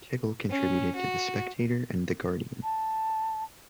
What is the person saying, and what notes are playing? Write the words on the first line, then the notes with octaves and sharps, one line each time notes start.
Tickell contributed to "The Spectator" and "The Guardian".
C#4
F#4
A5